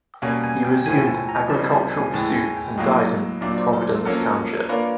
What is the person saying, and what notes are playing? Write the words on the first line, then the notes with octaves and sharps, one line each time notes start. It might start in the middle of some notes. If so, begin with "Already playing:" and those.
He resumed agricultural pursuits, and died in Providence Township.
B2 G3 A#3 C#4 G#5
G#5
G5
A2 F3 A3 G#5
A5
A#5
C#3 E3 G3 C4 D#4 A5
A5
G#5
A2 E3 G#3 A5
G#5
G5
A2 F#3 A#3 D#5
A#2 F#3 A#3 D4 D5
C5
A#4
A4
F3 A#3 C#4 F#4 A4 A#4
A#3 D4 F4 A#4 B4 C#5